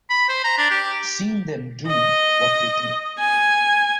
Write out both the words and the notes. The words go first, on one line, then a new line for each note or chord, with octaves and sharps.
Seeing them do what they do.
B5
C5
A#5
D4
G4
D#5
G#5